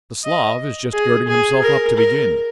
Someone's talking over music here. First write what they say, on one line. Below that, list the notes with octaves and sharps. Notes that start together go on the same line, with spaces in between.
The Slav is just girding himself up to begin.
D#5
G#4
G#4
A#4
A#4